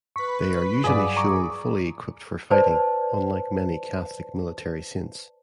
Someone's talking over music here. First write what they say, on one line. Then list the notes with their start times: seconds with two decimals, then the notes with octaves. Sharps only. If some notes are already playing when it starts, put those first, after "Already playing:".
They are usually shown fully equipped for fighting, unlike many Catholic military saints.
0.16 B4 C#6 B6
0.84 G2 F#3 G#4 D5 F5
1.17 A#5 C#6 D6
2.50 B4 C5 D5 A5